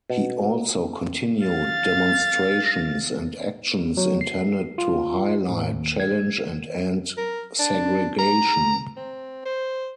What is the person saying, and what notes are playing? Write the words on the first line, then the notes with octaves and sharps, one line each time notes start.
He also continued demonstrations and actions intended to highlight, challenge and end segregation.
B2
F5 A6
F#3
C7
F4
A2
D#2
G#6
A#4
D4
A#5
C4
C5